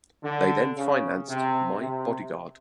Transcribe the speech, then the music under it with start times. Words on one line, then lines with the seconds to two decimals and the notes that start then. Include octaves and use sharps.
They then financed "My Bodyguard".
0.23 D3
0.76 C#3
1.28 C3
1.80 C3